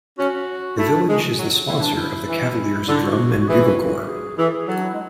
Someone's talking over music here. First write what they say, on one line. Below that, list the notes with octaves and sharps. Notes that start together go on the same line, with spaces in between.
The village is the sponsor of the Cavaliers Drum and Bugle Corps.
C#4 F#4
A3 E4
D4
G#3
F#3
E3 E4
D4
E4
E3
D3 E4
F#4
F#4
E3 G#4
F#4
G#4
E3 G#4
A4
G#4
F#3 A4
D4
E4
G#3